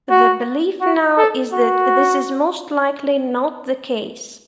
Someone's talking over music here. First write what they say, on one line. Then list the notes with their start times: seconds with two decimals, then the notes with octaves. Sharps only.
The belief now is that this is most likely not the case.
0.11 F#4
0.81 F#4
1.18 A4
1.53 F#4